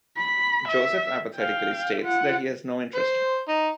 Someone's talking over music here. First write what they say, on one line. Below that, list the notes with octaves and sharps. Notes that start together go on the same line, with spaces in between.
Joseph apathetically states that he has no interest.
B5
E5
F5 G5
F4 F#5
C5
D#4